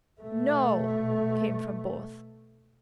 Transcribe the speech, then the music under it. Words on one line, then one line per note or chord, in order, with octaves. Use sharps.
"No," came from both.
B2 A3